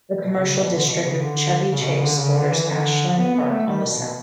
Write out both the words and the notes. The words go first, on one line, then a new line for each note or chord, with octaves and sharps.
The commercial district of Chevy Chase borders Ashland Park on the south.
B2
C#3
B2
D3
B2
C#3
D3
C#3
B2
C#3
D3
C#3
D3
E3
E3
D3
B3
B3
A3
G3
B2
B2